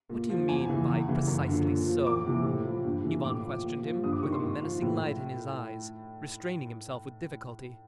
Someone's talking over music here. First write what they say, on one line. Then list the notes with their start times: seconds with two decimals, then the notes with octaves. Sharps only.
"What do you mean by 'precisely so'?" Ivan questioned him, with a menacing light in his eyes, restraining himself with difficulty.
0.09 A#2
0.29 F3
0.49 E2 G#5
0.69 C#3 E3
0.88 E2
1.08 C#3 E3
1.28 F#2
1.48 D3 F3
1.68 A#2
1.86 F3
2.07 E2 D6
2.26 C3 E3
2.46 A2
2.65 F3
2.85 G2
3.05 E3
3.24 A2 D6
3.45 F3
3.64 A#2
3.83 F3
4.04 G2 D#6
4.13 D6
4.23 D#3 C#6
4.32 C6
4.43 G#2
4.63 F3
4.82 A2